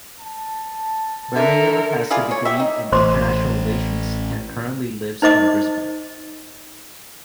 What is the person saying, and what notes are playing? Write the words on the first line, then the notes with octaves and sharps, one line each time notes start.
Birmingham has a degree in international relations and currently lives in Brisbane.
A5
D3 A4 A#4 E5
E4 F4 G#4 D5
C#5
G4 E5
D#4
A1 C5 C6 D6
D#4 C5 D#5 D6